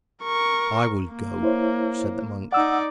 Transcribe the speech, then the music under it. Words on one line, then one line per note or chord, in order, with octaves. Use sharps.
"I will go," said the monk.
A#4 C#6
A#3
E4 C5 C#5
D#4 D5 F#5 E6